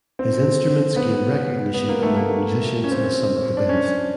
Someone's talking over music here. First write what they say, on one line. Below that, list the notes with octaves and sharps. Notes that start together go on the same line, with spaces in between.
His instruments gained recognition among musicians as some of the best.
C4
B3
B3
A#3
A3
A#3
C#4
C4
D4
C#4